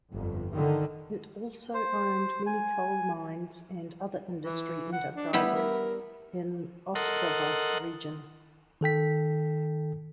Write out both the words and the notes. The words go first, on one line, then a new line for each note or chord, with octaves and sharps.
It also owned many coal mines and other industry enterprises in Ostrava region.
G1 F2
D3 D#3
C5
G#5
E3
F#5
D4
G3 B3 E4 B4
A#4
A4 A#4 D#5 F#5 C6
D#3 A4 G5 B6